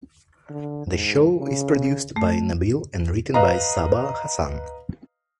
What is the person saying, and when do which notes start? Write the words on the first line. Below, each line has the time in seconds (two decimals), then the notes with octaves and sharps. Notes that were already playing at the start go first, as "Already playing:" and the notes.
The show is produced by Nabeel and written by Saba Hassan.
0.50 D3
0.87 G#2
1.39 C#3
2.16 A3
3.34 B4 D#5 F5 A#5